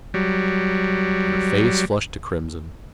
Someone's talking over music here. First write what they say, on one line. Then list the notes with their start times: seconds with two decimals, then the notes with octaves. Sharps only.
Her face flushed to crimson.
0.14 F#3 G3